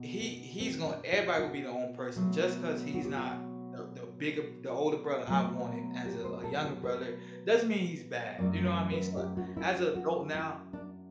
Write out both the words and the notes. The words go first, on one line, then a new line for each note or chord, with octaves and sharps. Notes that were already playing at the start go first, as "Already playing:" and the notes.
he he's gonna everybody gonna be their own person. Just 'cause he's not the the bigger the older brother I wanted as a a younger brother, doesn't mean he's bad. You know what I mean? So as a adult now
Already playing: B2
B3
C4
D4
E4
F#4
B2 F#3 A3
F#4
G4
F#4
B2 F#3 A3
G4
C5
A4
A4
B4
F#2 F#3 A3 D5
C5
B4
G4
F#4
E4
D4
F#4
E4
D4